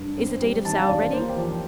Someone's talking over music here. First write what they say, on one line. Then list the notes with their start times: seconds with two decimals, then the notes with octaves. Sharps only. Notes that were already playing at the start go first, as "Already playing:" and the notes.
"Is the deed of sale ready?"
Already playing: G2
0.18 C4
0.41 G3
0.65 D#3 A5
0.77 F5
0.89 D#2 D5
1.01 C5
1.13 A#3 C5
1.29 G4
1.37 F3
1.44 G4